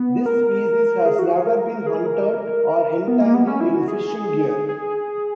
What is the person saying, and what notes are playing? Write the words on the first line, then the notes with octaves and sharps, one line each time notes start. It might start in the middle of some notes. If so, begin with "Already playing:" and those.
This species has never been hunted or entangled in fishing gear.
Already playing: B3
A#4
G#4
F#4
G#4
A#4
G#4
A#4
B3
A#3
B3
C#4
E4
F#4
G#4
G#4